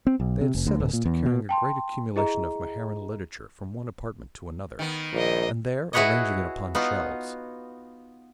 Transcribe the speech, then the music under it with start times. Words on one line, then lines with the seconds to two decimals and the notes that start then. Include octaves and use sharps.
They had set us to carrying a great accumulation of Maharan literature from one apartment to another, and there arranging it upon shelves.
0.07 C4
0.20 B1
0.41 C3
0.55 F1
0.67 D2
0.80 D1
0.93 A#2
1.06 E2
1.26 B2
1.49 G5 A5 C6
2.16 E4 G#4 D#5 A#5
4.79 D#3 B3
5.13 A#1 A#3 D#5
5.93 E4 F#4 G#4 B4 C#5 D#5
6.75 B3 D#4 F4 F#4